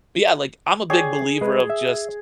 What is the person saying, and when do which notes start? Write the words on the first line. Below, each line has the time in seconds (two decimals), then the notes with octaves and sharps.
but yeah, like, I'm a big believer of just
0.90 G#4 C#5 D5 G5
1.41 G#3 B4
1.70 E5